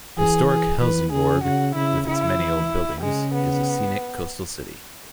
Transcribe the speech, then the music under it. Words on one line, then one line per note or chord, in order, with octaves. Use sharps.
Historic Helsingborg, with its many old buildings, is a scenic coastal city.
E3 G#4
G#4
E3 B4
C#3 G#4
C#3 F#4
C#3 E4
C#3 E4
E3
C#3 G#3
B3